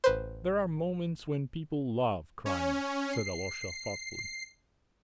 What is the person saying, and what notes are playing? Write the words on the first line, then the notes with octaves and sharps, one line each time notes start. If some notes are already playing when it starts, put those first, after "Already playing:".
"There are moments when people love crime," said Alyosha thoughtfully.
A1 B4 C5
C#4
C7